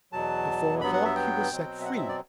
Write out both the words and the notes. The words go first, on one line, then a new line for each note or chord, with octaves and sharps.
At four o'clock he was set free.
E2 B2 F#3 A5
G2 F#3 B3 B5
F#5
E5
G5
B2 F#3 C4
E5
F#5
E5
D5